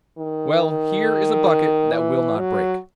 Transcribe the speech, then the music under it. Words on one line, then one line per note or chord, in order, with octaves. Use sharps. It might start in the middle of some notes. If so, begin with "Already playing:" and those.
Well, here is a bucket that will not break.'
D#3
E3
F#3